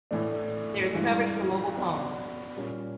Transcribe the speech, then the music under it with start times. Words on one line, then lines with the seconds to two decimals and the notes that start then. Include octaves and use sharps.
There is coverage for mobile phones.
0.11 A2 E3 A3 D4
0.93 G2 E3 G#3
1.75 F#3 B3 D4 F#4
2.56 A#2 G3 A#3 C#4